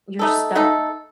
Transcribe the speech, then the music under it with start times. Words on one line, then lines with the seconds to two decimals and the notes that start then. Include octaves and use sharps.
you're stuck.
0.19 A3 D#4 A4
0.55 A3 D#4 A4